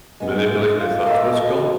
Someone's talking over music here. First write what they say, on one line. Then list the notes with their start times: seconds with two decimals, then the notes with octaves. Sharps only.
manipulate their thoughts. What's it called?
0.20 G#3 B3
0.46 G#3 A3
0.80 F4
1.06 A#3 A4 D#5 E5
1.26 B2